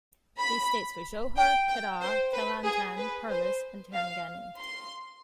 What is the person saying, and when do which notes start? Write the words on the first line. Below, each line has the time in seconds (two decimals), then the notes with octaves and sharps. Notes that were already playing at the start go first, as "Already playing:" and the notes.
These states were Johor, Kedah, Kelantan, Perlis, and Terengganu.
0.40 B5
1.37 G5
1.69 G5
2.01 C5
2.33 B4
2.65 G#4
2.97 B4
3.29 C5
3.94 F5
4.58 C6